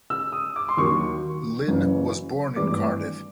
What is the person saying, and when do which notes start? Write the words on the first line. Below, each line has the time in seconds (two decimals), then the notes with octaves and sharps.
Lyn was born in Cardiff.
0.10 E6
0.32 D#6
0.56 D6
0.69 C6
0.77 D#2 D#3 F#3 C#6
1.68 F#1 F#2 C#3 E3
2.56 G#1 G2 E3 A3 D4 D6